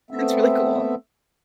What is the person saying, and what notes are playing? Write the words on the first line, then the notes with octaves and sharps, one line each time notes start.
That's really cool.
A3 B3 C4 E5